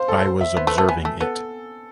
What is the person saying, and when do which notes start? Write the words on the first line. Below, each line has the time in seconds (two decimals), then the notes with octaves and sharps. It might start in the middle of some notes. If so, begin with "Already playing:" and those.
I was observing it.
Already playing: C5 F5
0.08 A4
0.25 C5
0.41 E5
0.56 B3 C5
0.67 A3 B4
0.78 A3 A5
0.89 B3 G#5
1.05 A3
1.21 B3 A4